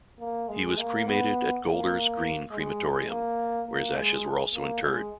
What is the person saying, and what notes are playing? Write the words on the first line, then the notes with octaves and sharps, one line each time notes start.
He was cremated at Golders Green Crematorium, where his ashes were also interred.
A#3
G#3
A#3
B3
A#3
G#3
A#3
A#3
G#3
A#3
G#3